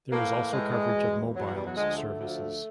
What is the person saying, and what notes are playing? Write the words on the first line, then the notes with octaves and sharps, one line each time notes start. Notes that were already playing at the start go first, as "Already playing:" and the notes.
There is also coverage of mobiles services.
A2 E3 A#3
A2 E3 G#3
E2 B2
E2 B2 F#3
F#3
G3
F#3
D2 D3 F3 G#3
A3
D2 D3 F3